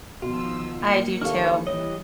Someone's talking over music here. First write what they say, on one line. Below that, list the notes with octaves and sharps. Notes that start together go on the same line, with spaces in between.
I do, too.
B2 D#3 F3 F4 F#4 E6
A#3 C#7
D#3 D4 E4 G4 A4 C#5 F5 F6
E3 G3 C#5 D#5